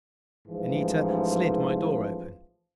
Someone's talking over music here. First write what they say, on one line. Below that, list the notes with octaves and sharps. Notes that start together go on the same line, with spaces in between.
Anita slid my door open.
A1 G#2 E3 F3